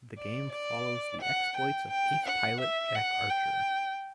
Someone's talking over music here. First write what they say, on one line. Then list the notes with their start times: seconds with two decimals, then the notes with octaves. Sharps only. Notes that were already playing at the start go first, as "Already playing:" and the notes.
The game follows the exploits of ace pilot Jack Archer.
0.18 D5
0.52 D5
1.21 F#5
1.56 G5
1.91 G5
2.26 F#5
2.60 E5
2.95 F#5
3.29 G5